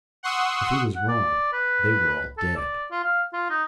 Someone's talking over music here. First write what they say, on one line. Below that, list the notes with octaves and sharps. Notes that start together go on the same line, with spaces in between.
If he was wrong, they were all dead.
F#5 C6 C#6 D#6 E6
F#5
D5
B4
A4
D5
F4
F5
F4
D#4